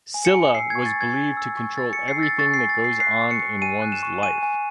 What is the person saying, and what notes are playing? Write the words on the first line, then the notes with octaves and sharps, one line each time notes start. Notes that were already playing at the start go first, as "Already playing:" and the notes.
Silla was believed to control everything that goes on in one's life.
G#5
C#7
G#5
E6 C7
G#6
C#6
A6
G#5
G#6
G#5
E6
C#6
G#5 A6
G#5 C#7
C7
E6 A6
C#6 A6
C7
G#5
A6
G#5 C7
F#6 C7
C#6
C#7
G#5
G#5 D#7
F#6
E7
C#6
G#5 D#7
G#5